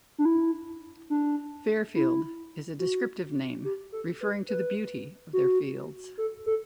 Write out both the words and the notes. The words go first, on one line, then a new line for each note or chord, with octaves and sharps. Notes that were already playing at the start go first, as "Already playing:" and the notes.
Fairfield is a descriptive name referring to the beauty of their fields.
D4
E4
D4
E4
F#4
G4
A4
B4
B4
F#4
A4
A4